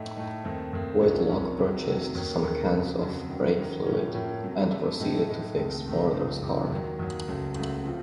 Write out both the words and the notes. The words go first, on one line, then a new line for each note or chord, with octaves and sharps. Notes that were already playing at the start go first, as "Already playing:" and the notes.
Whitlock purchased some cans of brake fluid and proceeded to fix Moroder's car.
Already playing: A2 A3 D#4
A2 A3 D#4
D#2 D#3 A3 C4
D#2 D#3 A3 C4
C2 C3 F3 A#3 C#4
C2 C3 F3 A#3 C#4
F2 C3 D#3 F#3
F2 C3 D#3 F#3
D#2 D#3 A#3 C#4
D#2 D#3 A#3 C#4
F2 C#3 F#3
F2 C#3 F#3
F#2 D#3 F#3
F#2 D#3 F#3
A2 F3 A#3 C#4
A2 F3 A#3 C#4
C3 F#3 A3
C3 F#3 A3
A2 A3 D#4
A2 A3 D#4
C#2 C3 D#3 A3
C#2 C3 D#3 A3
C#2 C3 F3
C#2 C3 F3
D#2 D#3 F#3
D#2 D#3 F#3
C#2 C#3 F#3 A3
C#2 C#3 F#3 A3
C3 F3 C4 F4